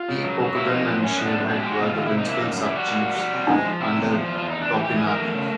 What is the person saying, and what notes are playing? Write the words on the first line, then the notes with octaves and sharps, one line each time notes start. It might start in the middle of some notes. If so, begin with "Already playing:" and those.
He, Pokagon, and Shavehead were the principal sub-chiefs under Topinabee.
Already playing: F4
C#3
F#3
F#3
A#3 E4
F3 D#4
F#2 B3
F#2 C#4
B3
D4
F#2
B2 D4
G4
G#3
F#4
B2 F4
D#3 F4
E4
C3
D#4
A#3 E4
F#2 D#4
G3
E4
G3 F#4
A#3
G3
G3
C3
G#3
F3
C3 E4
E2
F3
E2 F4
F4
E2
D#4
E2 D4
E3 G4
G4
E3
G#4
E3 A#4
A3
C#3